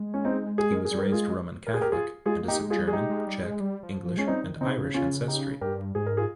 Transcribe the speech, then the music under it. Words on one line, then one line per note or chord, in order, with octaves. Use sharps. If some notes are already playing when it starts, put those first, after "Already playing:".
He was raised Roman Catholic, and is of German, Czech, English, and Irish ancestry.
Already playing: G#3
C#4
C4 D#4
G#4
A#4
G#4
G3
A#4
G#3 F4 G#4
A#4
G#4
G4 A#4
F4 G#4
G#3 F4 G#4
A#3
D#4 G4
G#3
F4 G#4
G3
G#4
G#3 D#4 G4
G#3
G3
G#3
G3
F3
F3
G#3 C#4
G3 C4 D#4
D#3
D#3
C#3 C4 D#4
C#3
C#4 F4
D#4 G4
G2 G4 A#4
G#2 G#4
A#4
F4 G#4